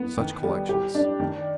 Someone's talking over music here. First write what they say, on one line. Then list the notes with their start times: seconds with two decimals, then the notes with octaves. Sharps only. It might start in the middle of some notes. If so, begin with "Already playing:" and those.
Such collections!
Already playing: B3
0.17 D#3
0.44 G3
0.69 G4
0.95 D4
1.20 D#3